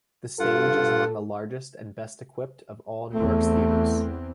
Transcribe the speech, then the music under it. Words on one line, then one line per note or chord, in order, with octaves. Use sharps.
The stage is among the largest and best-equipped of all of New York's theaters.
G2 F4 A4 F#5
E2 A3 C4